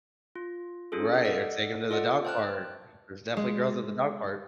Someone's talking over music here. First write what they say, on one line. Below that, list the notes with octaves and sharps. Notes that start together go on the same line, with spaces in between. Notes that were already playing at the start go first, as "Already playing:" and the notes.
Right, or take 'em to the dog park. There's definitely girls at the dog park.
F4
C#4 D4 F4 G#4 A4
A4 D5 D#5 F5 F#5
F4 A4 D5 D#5 F#5
C5 G5 A5 F6 F#6
G#3